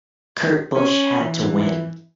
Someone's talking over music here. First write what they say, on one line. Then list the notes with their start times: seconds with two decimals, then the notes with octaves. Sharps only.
Kurt Busch had to win.
0.75 C#4
1.20 E3